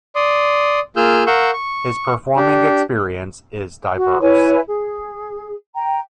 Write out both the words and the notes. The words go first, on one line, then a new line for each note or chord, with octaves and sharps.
His performing experience is diverse.
D5 C6 D#6
A#3 F4 G#4 E6 F6 G6
A#4 F5 F#5 C#6 E6 G6
C#6
D4 G4
F#4
E4 B4 C#5 G#5
G#4
G5 A#5